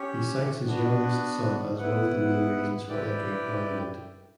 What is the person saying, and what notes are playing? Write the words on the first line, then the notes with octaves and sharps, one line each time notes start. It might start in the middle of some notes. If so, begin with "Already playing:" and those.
He cites his youngest son as one of the main reasons for entering Parliament.
Already playing: C#4 G4 C#5
B3 D4 F#4 B4
B3 E4 B4 F#5
E4 G4 B4 D5 G5